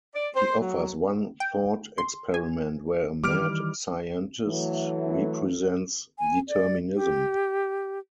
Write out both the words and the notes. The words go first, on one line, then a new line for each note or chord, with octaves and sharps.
He offers one thought experiment where a mad scientist represents determinism.
D5
C5
F#3
G5
C6
G#5
D#3 E3 G3 D6 F6 D7
E3 F#3 A3
G#5
D5
G4